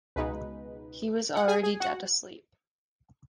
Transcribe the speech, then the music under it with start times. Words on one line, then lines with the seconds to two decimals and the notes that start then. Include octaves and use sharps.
He was already dead asleep.
0.16 C#2 B2 G#3 D#4 B4
1.35 F#5
1.48 G#4 G#5
1.63 G#4 G#5
1.80 F#4 F#5